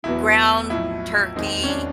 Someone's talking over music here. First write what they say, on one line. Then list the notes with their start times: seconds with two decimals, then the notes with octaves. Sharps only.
m ground turkey,
0.04 E1 E2 B2 F#3 B3 E4
0.70 B1 A2 F3 E4
1.36 E1 D#2 D#3 G#3 C4 D#4
1.63 C#4
1.68 D4